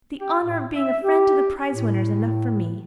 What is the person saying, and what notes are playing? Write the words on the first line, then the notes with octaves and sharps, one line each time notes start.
The honor of being a friend of the prizewinner is enough for me.
G4
A2
E5
G4
A2